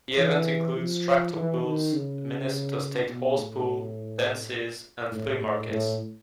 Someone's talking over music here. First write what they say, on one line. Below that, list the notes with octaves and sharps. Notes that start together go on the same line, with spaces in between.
The event includes tractor pulls, the Minnesota State Horsepull, dances and flea markets.
E3
F3
E3
D#3
C#3
B2
A2
A2
A2
A2